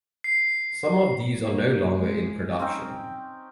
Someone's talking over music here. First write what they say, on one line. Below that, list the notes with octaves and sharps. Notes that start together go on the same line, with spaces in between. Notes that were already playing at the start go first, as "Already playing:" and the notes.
Some of these are no longer in production.
C7
A#3
G#3
C4 C#4 D#4 G5